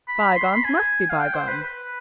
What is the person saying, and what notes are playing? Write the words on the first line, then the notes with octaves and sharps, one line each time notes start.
Bygones must be bygones.
B5
C6
B5
G#5
F5
G5
C5
B4
B4